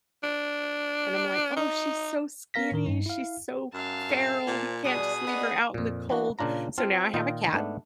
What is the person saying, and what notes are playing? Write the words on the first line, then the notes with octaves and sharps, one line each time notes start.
and I'm like, "Oh, she's so skinny, she's so feral, we can't just leave her out in the cold." So now I have a cat,
D4
D#4
B3 A#4 F5 A#6 B6
A2 D#3 A#4
G2 D#4
E4 F5
F#2 F5 A5
A2 G#4 E5
A#2 C5 E5 G#5
B2 G3 D4 D#4 G#4 D#6
A3 B3 D4 D#4
F2 A#2
E3 B3 D4 F#4
A#2 C#3 D4 F4 A#5
C4 F4 F5 A5
A#2 D#3 F4 D#5 G5
G#2 A3 B3 D4